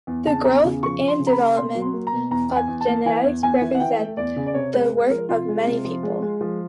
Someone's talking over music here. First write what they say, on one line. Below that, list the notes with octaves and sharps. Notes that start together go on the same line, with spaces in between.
The growth and development of genetics represents the work of many people.
E2
C#3 A5
E2 A#5
C#3
F3 C#6
C#3
C6
C#3
A#5
B5
A#3
B2 C6
F#3
C6
A#3
A#5
B2
E2 A#5
E2
G#5
E2
A5
A#3
E3 G#5
E2
E2 G#5
E3
F#5
E3 G5
A3
E2 D5
C#3
D5
C3 C#5
G#3 B4
G#3
F3 A#4
C3 F4
G#3
C3
F3
G#3
G#3
F3